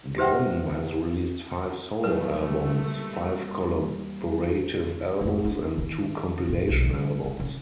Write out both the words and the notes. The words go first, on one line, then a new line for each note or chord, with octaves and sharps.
Grimm has released five solo albums, five collaborative albums and two compilation albums.
G4 B4 C5 E5 F#5 G5
F#3 G3 A3 A#3 B4 C7
F2
D4
D#3
A2
B1
G3
D#3
C#3